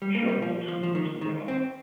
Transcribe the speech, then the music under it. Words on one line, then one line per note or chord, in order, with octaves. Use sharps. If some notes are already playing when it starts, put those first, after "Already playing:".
Shawn Nelson was the winner.
G3
A#3
G3
F3
F3
F3
D#3
D#3
C4